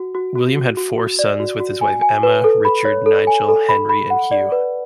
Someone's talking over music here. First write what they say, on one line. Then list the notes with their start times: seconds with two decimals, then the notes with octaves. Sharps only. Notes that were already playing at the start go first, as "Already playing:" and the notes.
William had four sons, with his wife Emma; Richard, Nigel, Henry and Hugh.
Already playing: F#4
0.15 F#4
0.35 F#4
0.56 F#4
0.77 F#4
0.98 F#4
1.19 D5
1.40 F#4
1.60 F#4
1.81 G#5
2.02 G#5
2.23 B4
2.44 A4
2.65 B5
2.85 C#5
3.06 A4
3.27 G#5
3.48 A4
3.69 B5
3.89 B5
4.10 F#5
4.31 D5
4.52 B4